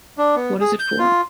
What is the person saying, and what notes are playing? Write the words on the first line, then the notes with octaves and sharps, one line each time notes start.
What is it for?
D4
B3
G#4
G6
F4